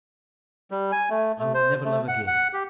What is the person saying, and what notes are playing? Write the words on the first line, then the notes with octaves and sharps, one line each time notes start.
I will never love again.
G3
G#5
A3
A3
C5
A3
F#5
F#5
G4